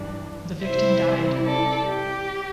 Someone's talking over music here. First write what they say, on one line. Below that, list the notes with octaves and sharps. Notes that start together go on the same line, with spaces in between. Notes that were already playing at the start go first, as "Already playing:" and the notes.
The victim died.
Already playing: G2 E3 G3 D4
C3 G3 E4 C5 E5
A4 D5
G4